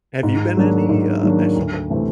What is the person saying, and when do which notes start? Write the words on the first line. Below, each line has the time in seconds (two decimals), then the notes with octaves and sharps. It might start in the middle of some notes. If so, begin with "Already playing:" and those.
Have you been to any, uh, national parks?
0.23 G#2
0.57 D#3 F#3 A#3 D4
0.89 G#2
1.23 D#3 F#3 A#3 D4
1.56 D2
1.90 C3 E3 A3 C4